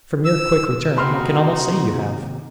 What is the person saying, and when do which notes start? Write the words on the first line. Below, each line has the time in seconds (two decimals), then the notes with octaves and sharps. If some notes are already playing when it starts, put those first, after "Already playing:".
From your quick return, I can almost say you have.
0.25 E6
0.97 D#2 C3 A#3 D#4 F#4 B5 C6 F6